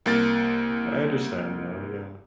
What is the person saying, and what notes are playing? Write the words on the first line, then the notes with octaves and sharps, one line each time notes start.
I understand, though, yeah.
C2 A#3 A6